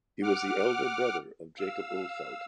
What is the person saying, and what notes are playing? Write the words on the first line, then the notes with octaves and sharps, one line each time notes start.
He was the elder brother of Jacob Ulfeldt.
F#5 D6 F6
F5 E6